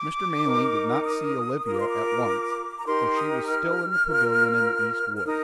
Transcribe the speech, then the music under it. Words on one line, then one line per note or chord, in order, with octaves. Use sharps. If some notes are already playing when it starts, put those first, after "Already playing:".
Mr. Manley did not see Olivia at once, for she was still in the pavilion in the East wood.
Already playing: D6
D#4 A#4
D#6
F4 A#4 D#6
D6
C6
D6
A#5
D#4 G4 A#4 C6
D#6
F6
F4 A#4
F6
D#4 A#4 D#6